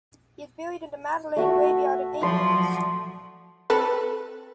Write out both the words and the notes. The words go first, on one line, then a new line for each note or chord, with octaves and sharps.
He is buried in the Madelaine graveyard in Amiens.
A3 F#4 E5
F3 F#3 D5 C6
C4 A4 B4